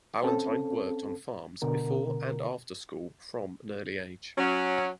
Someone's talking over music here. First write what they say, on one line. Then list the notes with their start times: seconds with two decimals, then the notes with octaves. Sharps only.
Ballantine worked on farms before and after school from an early age.
0.23 C4 C#4 A4
1.62 B2 D3 A#4
4.37 F#3 C#4